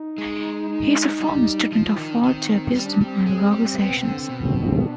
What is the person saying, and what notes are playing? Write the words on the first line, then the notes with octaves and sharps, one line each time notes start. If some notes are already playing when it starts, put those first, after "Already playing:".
He is a former student of Walter Piston and Roger Sessions.
Already playing: D#4
G#3
D#4
G3
F3 F4
F4
D#3 D#4
D4
D#3 C4
C4
G#3
G3 C4
D4
G3 C4
G#3
G3
B3
C3
D3
B2
D4